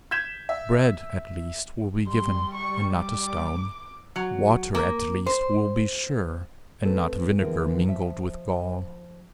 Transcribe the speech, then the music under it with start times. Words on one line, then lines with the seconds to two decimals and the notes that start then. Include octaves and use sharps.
Bread, at least, will be given, and not a stone; water, at least, will be sure, and not vinegar mingled with gall.
0.11 G6 G#6 B6 E7
0.49 E5
2.07 G3 C6
2.54 C#6
2.94 D6
4.16 F#3
4.75 A#3
5.26 C5
6.84 A3 C4 A4 B4
7.42 D3 E3 G#3 B3 A#4
7.87 F3 E5